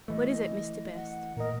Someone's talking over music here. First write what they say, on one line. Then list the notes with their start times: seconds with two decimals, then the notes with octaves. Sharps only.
"What is it, Mr. Best?"
0.08 E3 A3 D#5
0.95 F#5
1.37 A#2 A#4 D#5